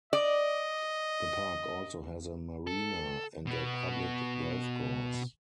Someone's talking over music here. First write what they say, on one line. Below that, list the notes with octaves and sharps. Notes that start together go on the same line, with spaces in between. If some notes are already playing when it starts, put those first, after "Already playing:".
The park also has a marina and a public golf course.
D5 D#5
A4
B2 B3